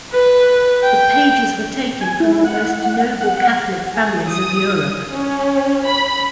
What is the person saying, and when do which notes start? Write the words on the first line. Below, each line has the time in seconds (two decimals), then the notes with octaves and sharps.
The pages were taken from the most noble Catholic families of Europe.
0.12 B4
0.83 G5
2.01 G#5
2.20 E4
2.45 F#5
3.21 F#5
3.95 G#4
4.28 D#6
5.13 C#4
5.88 B5